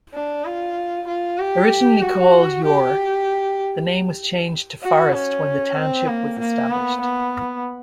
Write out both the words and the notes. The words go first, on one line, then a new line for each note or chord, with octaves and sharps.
Originally called Yaugher, the name was changed to Forrest when the township was established.
D4
F4
F4
G4
F#4
G4
F#4
C#4
C4
A#3
A#3
B3
B3